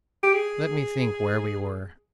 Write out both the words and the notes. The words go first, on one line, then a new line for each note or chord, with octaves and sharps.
LET me think where we were.
G4
G#4